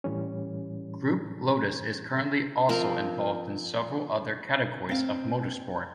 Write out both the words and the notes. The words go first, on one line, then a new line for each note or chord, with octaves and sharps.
Group Lotus is currently also involved in several other categories of motorsport.
A2 E3 G3 C#4
F3 C4 A#4
C4 F5